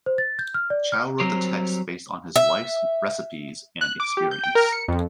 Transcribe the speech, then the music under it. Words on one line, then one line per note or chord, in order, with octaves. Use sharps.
Chao wrote the text based on his wife's recipes and experience.
C5
A6
G6
F6
D5
F6
F#3 G3 C4 A#4 C5 C#5
E5
F#6
D6
G4
G6
G5
A#4
C#7
F2